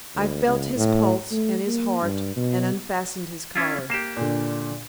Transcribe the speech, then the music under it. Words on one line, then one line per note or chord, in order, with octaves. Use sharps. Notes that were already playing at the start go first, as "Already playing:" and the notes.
I felt his pulse and his heart, and unfastened his collar.
D2
C#2
A2
A3
A#3
G2
B2
C#4 E4 F4
A#3 G4 C7 E7
A#2 D3